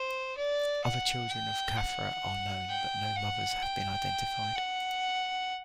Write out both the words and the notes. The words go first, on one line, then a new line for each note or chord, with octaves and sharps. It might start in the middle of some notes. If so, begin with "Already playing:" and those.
Other children of Khafra are known, but no mothers have been identified.
Already playing: C5
D5
F#5
G5
F#5
G5
F#5
G5
F#5